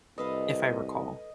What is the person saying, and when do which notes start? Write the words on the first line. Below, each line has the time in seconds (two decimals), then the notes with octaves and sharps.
if I recall.
0.18 C2 A4 B4 D#5 F5